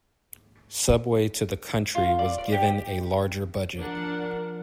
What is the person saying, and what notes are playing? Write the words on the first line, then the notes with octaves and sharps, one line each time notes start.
"Subway to the Country" was given a larger budget.
F4
D5
D5
G4
F3 D4 A#4 F#5